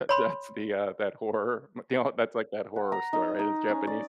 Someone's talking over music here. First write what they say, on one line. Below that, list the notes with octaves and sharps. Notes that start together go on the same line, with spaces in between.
That's the, uh, that horror m you know? That's, like, that horror story, right? It's Japanese?
C#5 B5 C6
F#5
A#5
D#4
D#4
C#4
D5